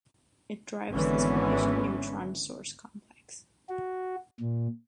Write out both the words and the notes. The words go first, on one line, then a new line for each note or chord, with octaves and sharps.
It drives the spallation neutron source complex.
G#1 D3 E3 B3 C#4
F#4
A#2